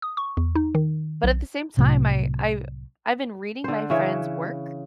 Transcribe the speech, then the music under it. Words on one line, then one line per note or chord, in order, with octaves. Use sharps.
but at the same time, I I I've been reading my friends' work
D#6
C#6
E2
D#4
D#3
B1
C2 A2 C3 F#3
D3 C5
C#3 E3 C#5 E5